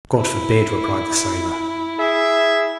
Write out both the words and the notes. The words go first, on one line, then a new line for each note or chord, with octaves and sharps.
"God forbid!" replied the sailor.
E4
G#4 E5